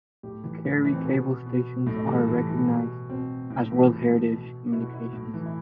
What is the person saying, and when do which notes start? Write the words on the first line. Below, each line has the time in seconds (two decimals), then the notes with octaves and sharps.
The Kerry cable stations are recognised as World Heritage Communications Sites.
0.23 A2 G4
0.44 E3
0.65 A2
0.85 E3
0.94 C4
1.05 B2 B3
1.46 B2
1.86 A2 A3
2.06 E3 G3
2.27 A2 E3
2.48 E3
2.68 B2
3.09 B2 C4
3.50 A2
3.71 E3
3.91 A2
4.11 E3
4.32 B2
4.72 B2 E4
4.83 F#4
4.94 E4
5.13 A2
5.34 E3
5.46 E4